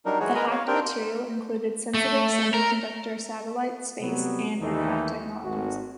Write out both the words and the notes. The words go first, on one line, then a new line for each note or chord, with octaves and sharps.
The hacked material included "sensitive semiconductor, satellite, space, and aircraft technologies".
F#3 G3 D4 D#4 A#4
E3 G#3 F#4 G#4 C#5
A#4 B4 D#5 G#5 A#5
C#5 F5
C4 D4 G4 A#4 G5
A3
A#4
C3 F#3 G3 B3
D#2 E3 G3 A3 D#4
G#1 F#4